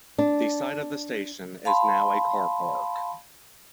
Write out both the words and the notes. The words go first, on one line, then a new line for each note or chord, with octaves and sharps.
The site of the station is now a car park.
D4
F5 A5 B5 C6